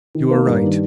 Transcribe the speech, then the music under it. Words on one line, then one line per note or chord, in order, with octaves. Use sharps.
You are right.
D#3
A#3
G2
D#3